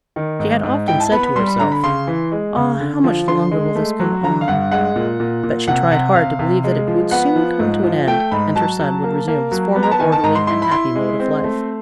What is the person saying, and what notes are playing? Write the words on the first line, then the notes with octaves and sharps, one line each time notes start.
She had often said to herself, "Ah! how much longer will this go on?" but she tried hard to believe that it would soon come to an end, and her son would resume his former orderly and happy mode of life.
D#3
G#2
G#2
E4 G5
A5
B3 B5
B5
G3 C6
B5
D3 A#5
B5
C#3 C6
E3
G#3
C#3
D3
F3
D3 C6
G#3
A3
F#3
D3 A#5
F5
G2 F#5
G#3 F#5
A#2
A#2
A#2
C3 F#5
C3 F#5
C3 F5
C3
G#3
F3
B3 F#5
F3
G#2
F3
A3 G5
G#2 B5
F#3 A5
F#3
A#3
A#3
F#3
B3
A#5
A5
D#3 G#5
A5
G#2 A#5
C6
E4 C6
B5
E4 C6
G#3
C4
A3